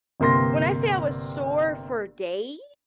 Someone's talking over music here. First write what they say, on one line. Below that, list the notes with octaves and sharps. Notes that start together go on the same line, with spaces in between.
when I say I was sore for days;
G1 C3 A#3 C6 A#6